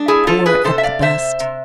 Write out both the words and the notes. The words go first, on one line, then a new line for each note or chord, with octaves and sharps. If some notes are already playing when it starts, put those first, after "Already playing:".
Poor at the best...
Already playing: G#3 D4
E4 G#4
F3 F4 A4
G#4 B4
C3 A4 C5
E5
D5 F5
C3 C5 E5
C3